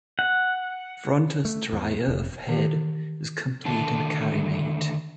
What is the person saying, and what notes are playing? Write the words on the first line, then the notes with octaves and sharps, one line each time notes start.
Frontal stria of head is complete and carinate.
F#5
A3
E2
F1
D#3 E3 G4
D3 D#3 A3 A5